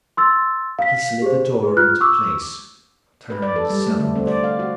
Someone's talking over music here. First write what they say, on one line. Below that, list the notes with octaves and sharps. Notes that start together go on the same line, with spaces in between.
He slid the door into place, turned sullenly.
C6 E6 A6
F5 B6
G4 G#4 C5
G#4 B4
F4 F6 F#6
C#6 D6 E6
B4
D5
A4
G3
A3
D3
C4
D5
F5
F#4